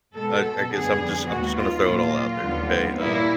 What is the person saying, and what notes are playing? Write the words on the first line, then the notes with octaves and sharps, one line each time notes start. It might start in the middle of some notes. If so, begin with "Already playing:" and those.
I I guess I'm just I'm just gonna throw it all out there. Okay? Uh,
B2 G#3 B3 A4
A4
F2 D3 G3 B3 G#4
D#2 D#3 G#3 B3 F#4
F4
A#2 F#3 A#3 F4
D#2 D3 G3 B3
A#2 G3 A#3 E4